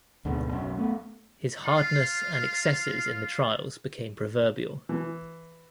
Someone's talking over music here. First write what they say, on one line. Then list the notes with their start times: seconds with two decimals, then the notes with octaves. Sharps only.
His hardness and excesses in the trials became proverbial.
0.25 D2 G#2 B2 D3
0.51 B1 F#2 C#4
0.77 A3 B3
1.63 F4 F5
4.89 E3